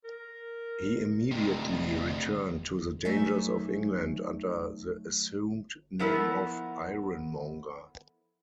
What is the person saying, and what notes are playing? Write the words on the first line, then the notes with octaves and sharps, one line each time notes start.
He immediately returned to the dangers of England under the assumed name of Ironmonger.
A#4
D2 C3 D#5
F#3 A3 D#4 E5 G#5
F3 B3 E4 A4 A#4